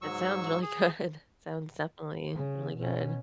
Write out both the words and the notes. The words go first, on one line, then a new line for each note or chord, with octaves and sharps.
it sounds really good. Sounds definitely really good.
G#2 F#3 C#6 E6
G#4
C#3
B2 C#4